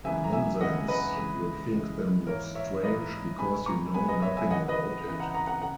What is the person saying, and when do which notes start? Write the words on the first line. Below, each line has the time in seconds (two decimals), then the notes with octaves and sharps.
Nonsense; you think them strange, because you know nothing about it.
0.04 F#2 C#3 E3 G#3 B3 E5 G#5
0.24 A#5
0.33 E5 G#5
0.60 F#2 C#3 E3 G#3 B3 D#5 F#5
0.88 B4 D#5
1.16 C#3 E3 G#3
1.72 C#3 E3 G#3
2.27 G#2 E3 A#3 A#4 C#5
2.55 C#5 E5
2.83 G#2 E3 A#3 B4 D#5
3.38 B2 G#3 B3 G#5 B5
3.66 A#5 C#6
3.94 B2 G#3 B3 G#5 B5
4.08 B4 D#5
4.22 C#5 E5
4.37 E5 G#5
4.50 C#3 E3 B3 D#5 F#5
4.68 B4 D#5
5.07 C#3 E3 B3
5.20 F#5 A#5
5.34 F#5 A#5
5.47 F#5 A#5
5.62 C#3 F#5 A#5